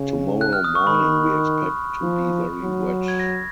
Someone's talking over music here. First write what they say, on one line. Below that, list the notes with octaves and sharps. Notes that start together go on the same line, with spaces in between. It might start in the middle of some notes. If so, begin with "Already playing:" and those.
Tomorrow morning we expect to be very wet.
Already playing: C#3
F#6
F6
D#6
C#6
D#3 B5
F3
F#3
G#6
A#6